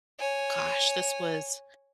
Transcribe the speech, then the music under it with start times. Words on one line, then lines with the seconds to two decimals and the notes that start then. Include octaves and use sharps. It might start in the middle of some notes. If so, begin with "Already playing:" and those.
Gosh, this was
0.19 C#5 G#5